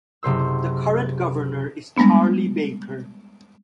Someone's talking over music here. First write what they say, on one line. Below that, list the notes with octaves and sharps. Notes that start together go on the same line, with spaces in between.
The current governor is Charlie Baker.
F#1 C3 C5 E6
G3 G#3 A#3 B3 D4